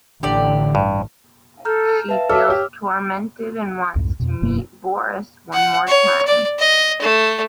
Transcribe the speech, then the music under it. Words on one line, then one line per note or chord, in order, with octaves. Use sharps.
She feels tormented and wants to meet Boris one more time.
A1 D3 G4 D5
G2
A4 A#5 F6 G6
B4 E5 F5 A5
A4 C#5 E5 D6 E6 F6
G4 C#5
C2 F2 G#2
F2 B2
E1 F#2 B2 A#3
F#5
C#5
D5
D#5
A3